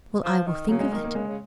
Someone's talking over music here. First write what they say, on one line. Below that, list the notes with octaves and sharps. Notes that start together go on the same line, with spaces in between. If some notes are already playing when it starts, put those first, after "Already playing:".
"Well, I will think of it."
F3
D#3
C#3 F#3
G#3
D#3 A#3
A#3
C#3 G#3
C#3